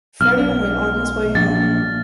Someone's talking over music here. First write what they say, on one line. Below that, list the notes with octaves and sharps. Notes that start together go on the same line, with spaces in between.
Freddie went on his way home.
B1 F6
A#1 A6